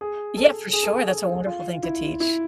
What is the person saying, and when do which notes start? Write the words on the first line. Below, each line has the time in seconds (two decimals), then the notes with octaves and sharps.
Yeah, for sure, that's a wonderful thing to teach,
0.01 G#4
0.37 A4
0.73 G#4
0.83 A4
0.91 G#4
1.47 F4
1.83 E4
2.20 E4